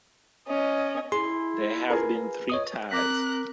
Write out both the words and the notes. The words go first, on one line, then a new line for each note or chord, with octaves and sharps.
There have been three ties.
C#4 D#5
E4 G#4 C6
F4 G#4 A#4 B4
C#5 D#5 D#6
C4 A#4 D6 F#6 A#6 B6